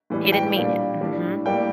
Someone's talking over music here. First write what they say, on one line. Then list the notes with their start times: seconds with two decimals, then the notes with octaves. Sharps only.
He didn't mean it. Mhm.
0.10 A2 E3 G3
0.32 G5
0.56 A#2 G3 A#3 D4
1.01 A2 G3 D4
1.46 A2 G3 A#3 D4 G5